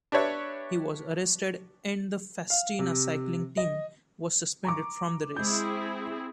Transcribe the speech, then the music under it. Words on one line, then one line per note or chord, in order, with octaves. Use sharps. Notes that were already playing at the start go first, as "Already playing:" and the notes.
He was arrested and the Festina cycling team was suspended from the race.
D4 G4 B4 C#5 E5
F5
C3
D#5
A#5 C#6 D6
G#3 C4 E4 G#4 G6